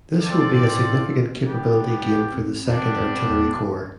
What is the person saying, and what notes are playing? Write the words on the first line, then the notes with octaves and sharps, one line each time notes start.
This will be a significant capability gain for the Second Artillery Corps.
C4 F4 A4 D5
A2
B3 D4 G4
F2
F2 G3 B3 D4
F2
E2